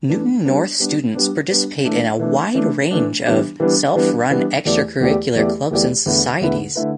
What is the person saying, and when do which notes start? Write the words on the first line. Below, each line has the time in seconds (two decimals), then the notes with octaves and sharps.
Newton North students participate in a wide range of self-run extracurricular clubs and societies.
0.10 E3 A3 D4
0.45 G3 B3 D4
0.79 G3 B3 D4
1.14 G3 B3 D4
1.50 G3 B3 D4
1.84 E3 A3 D4
2.19 E3 A3 D4
2.55 E3 A3 D4
2.91 E3 A3 D4
3.25 E3 G3 B3 D4
3.60 E3 G3 B3 D4
3.95 E3 G3 B3 D4
4.30 E3 G3 B3 D4
4.65 E2 E3 A3 G4 D5
5.01 E2 E3 A3 G4 D5
5.35 E2 E3 A3 G4 D5
5.71 E2 E3 A3 G4 D5
6.06 E2 D3 A3 E4 B4
6.41 E2 D3 A3 E4 B4
6.76 D3 A3 E4 B4